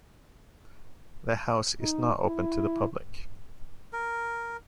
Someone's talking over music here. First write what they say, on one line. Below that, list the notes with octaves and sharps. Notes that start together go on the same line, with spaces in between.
The house is not open to the public.
D#4
E4
A#4